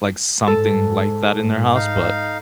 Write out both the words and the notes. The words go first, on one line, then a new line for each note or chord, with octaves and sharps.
like, something like that in their house, but
G#2 A4
D#4 F5